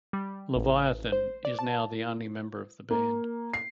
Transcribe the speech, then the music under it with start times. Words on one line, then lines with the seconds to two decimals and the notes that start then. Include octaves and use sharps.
Leviathan is now the only member of the band.
0.13 G3
0.55 A1
1.12 C5
1.45 D5
1.59 A5
2.91 A#3
3.53 C7